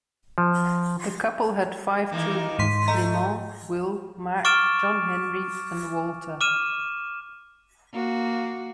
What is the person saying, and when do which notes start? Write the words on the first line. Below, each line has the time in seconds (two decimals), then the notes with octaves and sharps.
The couple had five children: Clement, Will, Mack, John Henry, and Walter.
0.38 F3
2.11 D#3 E3 A#3
2.59 G#2 C6 B6 D#7
2.88 A3 D#5 A#5
4.45 C#6 D6 F6 A6 D7 E7
6.41 D6 F6 D#7 E7
7.93 A#3 F#4